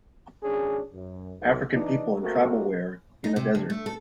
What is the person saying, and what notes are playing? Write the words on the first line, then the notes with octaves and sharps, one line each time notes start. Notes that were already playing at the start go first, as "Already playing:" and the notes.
African people in tribal wear in a desert.
G#1 C#4 D4 G#4
F#2
B1
E3 D4 D#4
A3 A#3 C4 F#4 A#4
D#4
C3
D2
A3
A4